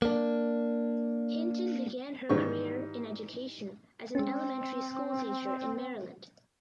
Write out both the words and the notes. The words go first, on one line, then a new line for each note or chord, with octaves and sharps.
Hinton began her career in education as an elementary schoolteacher in Maryland.
A#3 D4
G#2 D#3 E3 G3 C5 C#6
G#3 C4 C#4